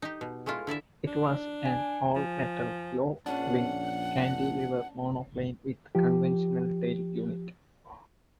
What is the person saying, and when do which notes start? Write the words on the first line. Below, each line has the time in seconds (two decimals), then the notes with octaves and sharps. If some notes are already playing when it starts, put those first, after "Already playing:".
It was an all-metal low-wing cantilever monoplane with a conventional tail unit.
0.02 D#4 G4
0.21 B2
0.46 G#3 A3 E4 F4
0.67 D3 E4 D5 E5
1.07 D4
1.66 G#5
2.16 F3
3.26 A#1 C#4 D4 F#5
5.95 F3 G4